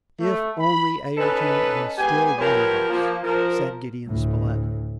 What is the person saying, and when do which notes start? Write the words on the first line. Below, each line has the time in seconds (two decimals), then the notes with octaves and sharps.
"If only Ayrton was still one of us!" said Gideon Spilett.
0.20 A3
0.60 B5
1.17 C#4 D#4 A4 B4
1.98 G#3 B3 G4 G#5
2.38 F3 F#3 G4 A#4 B4 C#5
2.89 F3 A#3
3.24 F3 A#4
4.07 D2 A2